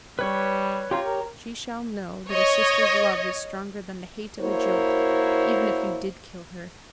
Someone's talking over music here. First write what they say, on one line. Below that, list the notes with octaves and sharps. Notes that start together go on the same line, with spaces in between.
She shall know that a sister's love is stronger than the hate of a jilt--even if you did kill her.
G3 B4 C#5 C#6
F4 G4 C#5 A#5
A#4
C#5 D#5
A#3 E4 F#4 A#4 C5 C#5